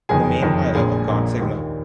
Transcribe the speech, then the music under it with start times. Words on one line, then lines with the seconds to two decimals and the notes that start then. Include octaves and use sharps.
The main pilot of God Sigma.
0.09 F#1 F2 D#3 G#4 G#5
0.42 F#1 F2 D#3
0.75 A#1 A#2 G#4 G#5
1.08 A#1 A#2
1.41 D#2 D#3